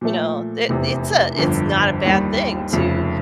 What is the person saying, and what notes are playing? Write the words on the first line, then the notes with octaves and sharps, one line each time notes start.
you know, it it's a it's not a bad thing to
A#2 F3 A3
F1 E2 C3
G1 F2 D3
D#2 D#3 G3
F1 F2 C#3